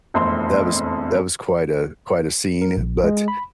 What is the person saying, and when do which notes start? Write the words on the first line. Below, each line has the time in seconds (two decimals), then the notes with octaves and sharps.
that was that was quite a quite a scene, but
0.14 E1 F2 A2 C4 C6
2.62 A#4
2.77 A#1
3.04 G#3
3.28 B5